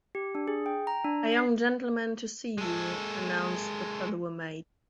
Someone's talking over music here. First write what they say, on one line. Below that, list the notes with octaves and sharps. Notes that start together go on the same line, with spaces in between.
"A young gentleman to see you," announced the parlour-maid.
G4
D4
G#4
G5
A#5
D4
C7
G#3 A4